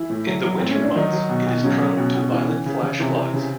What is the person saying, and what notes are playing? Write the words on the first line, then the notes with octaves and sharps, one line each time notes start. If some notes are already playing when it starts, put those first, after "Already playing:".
In the winter months it is prone to violent flash floods.
Already playing: E3 E4
A2
F#3
F#3
A2 C4
C#4
A2
D4
D#3 F#3 D#4
F#3
B2
B2
C#3 F#3 C#4
F#3
B2
B2
E3
E3
C#3
C#3
C3 E3 C4
E3
C#3